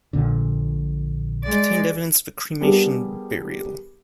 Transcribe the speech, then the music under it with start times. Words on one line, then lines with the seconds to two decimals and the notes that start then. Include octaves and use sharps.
It contained evidence of a cremation burial.
0.13 A#1 A#2 D3
1.44 G#3 D5
2.61 G3 B3 D4 G4 G#4 A#4